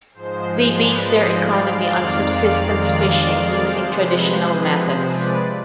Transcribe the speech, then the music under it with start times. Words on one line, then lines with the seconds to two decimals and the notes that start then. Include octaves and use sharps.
They base their economy on subsistence fishing using traditional methods.
0.14 G#2 F3 G#3 C5
0.44 C5
0.73 B4 D5
1.01 C5 D#5
1.31 D5 F5
1.59 D5 F5
1.89 F2 D#3 G#3
3.62 C3 F3 G#3 C5
3.92 B4
4.21 C5
4.50 B4
4.79 C5
5.07 B4 D5